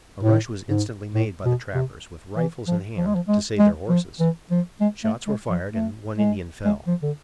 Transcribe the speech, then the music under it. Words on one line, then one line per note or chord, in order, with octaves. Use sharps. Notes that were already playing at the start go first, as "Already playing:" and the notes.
A rush was instantly made by the trappers, with rifles in hand, to save their horses. Shots were fired and one Indian fell.
A2
G#2
A2
B2
C3
E3
F3
F3
G#3
F3
G#3
G#3
F3
E3
F3
G#3
A3
G#3
F3
A3
G#3
G#3
F3
D3